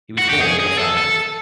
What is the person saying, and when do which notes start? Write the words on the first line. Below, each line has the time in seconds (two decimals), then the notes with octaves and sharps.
He was born in Los Angeles.
0.18 F#4
0.29 G4
0.41 G#4
0.59 G#4
0.78 A4
0.97 A4